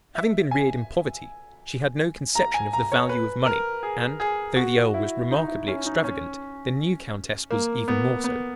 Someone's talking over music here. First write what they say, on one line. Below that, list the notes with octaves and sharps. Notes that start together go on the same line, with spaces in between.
Having been reared in poverty, she had no conception of the value of money; and, though the earl was remarkably extravagant, the new countess was even more so.
E5
G#5
A#5
G#5
A#5
C#5
B4
A#4
G#4
G#4
F#4
E4
D#4
E4
C#4
D#4
C#4
A#3
B3
B3